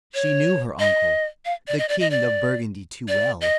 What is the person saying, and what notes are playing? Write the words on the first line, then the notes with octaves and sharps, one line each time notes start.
She knew her uncle, the king of Burgundy, too well.
C#5
D#5
F5
D5
D#5
D5
D#5
D5
D5
D#5